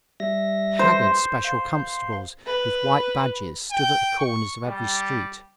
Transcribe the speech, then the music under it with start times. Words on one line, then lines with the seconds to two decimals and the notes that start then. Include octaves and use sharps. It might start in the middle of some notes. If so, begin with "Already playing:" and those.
Haggard special constables with white badges stood at the corners of every street.
0.20 G3 E5 A#6
0.79 C5
1.44 F5 C6
2.46 B4
3.72 G5
4.19 C#6
4.65 G3